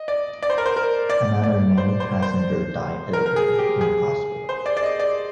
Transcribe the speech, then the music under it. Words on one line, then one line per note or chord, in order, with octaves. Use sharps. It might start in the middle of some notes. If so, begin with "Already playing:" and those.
Another male passenger died later in hospital.
Already playing: D#5
D5
D5
C5
A#4
C5
A#4
D5
D5
C5
C5
C5
A#4
A#4
G#4
G4
G#4
C5
D5
D5
D#5
D5